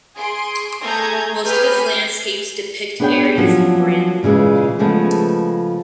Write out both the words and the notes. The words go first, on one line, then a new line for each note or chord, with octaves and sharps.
Most of his landscapes depict areas in Brandenburg.
G#4 C6 D7
A3 G#4 G#5 A#5 G6 G#6
G4 G#4 B4 B5 F6 G6
B3 D4 G#4 C5 C#5 G5
F3 F#3 A#3 C#4 D4
A#2 C#3 E3 G#3
C#3 F3 G#3 A3 B3